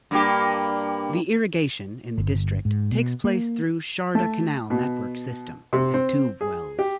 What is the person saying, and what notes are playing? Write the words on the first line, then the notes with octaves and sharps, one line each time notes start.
The irrigation in the district takes place through Sharda Canal network system and tubewells.
G2 A#3 G4
G1
G#2
B2
A#3
A3
B2
C3
C4
G#4
G4